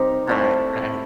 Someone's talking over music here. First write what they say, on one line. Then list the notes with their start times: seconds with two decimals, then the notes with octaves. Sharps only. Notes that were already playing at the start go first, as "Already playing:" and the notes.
Right, right.
Already playing: C3 G3 C4 D#4 G4 A#4
0.27 A3 C4 E4 A4